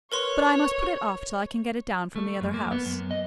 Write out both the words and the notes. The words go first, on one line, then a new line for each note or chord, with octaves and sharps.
"But I must put it off till I can get it down from the other house."
A#4 B4 C#5 C6
A3
F#2
A#3
B3
F#2
D#5